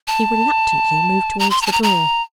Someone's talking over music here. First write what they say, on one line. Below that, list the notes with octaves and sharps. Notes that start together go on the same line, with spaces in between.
He reluctantly moved towards the door.
A5
A#5
C6
A#5
A5
A#5
A#5